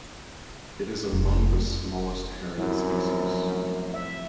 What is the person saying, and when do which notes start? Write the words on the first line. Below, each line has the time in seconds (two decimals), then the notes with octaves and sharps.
It is among the smallest heron species.
1.12 F1
2.58 F#2 G3 C4 E4
2.92 F3
3.25 A3
3.94 E5